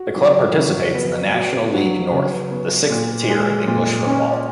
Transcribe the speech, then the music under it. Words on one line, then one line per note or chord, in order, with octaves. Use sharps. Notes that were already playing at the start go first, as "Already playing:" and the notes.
The club participates in the National League North, the sixth tier of English football.
Already playing: F#4
F#3
C#3
B3
F#4
F#3
C#3
B3
A#2
G#3
A#2
C#4